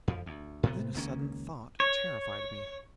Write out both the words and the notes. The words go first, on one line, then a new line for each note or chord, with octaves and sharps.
Then a sudden thought terrified me.
F2 F3
D2
A2 C3 B3
C#2 D#3 A#3 C#4
C#5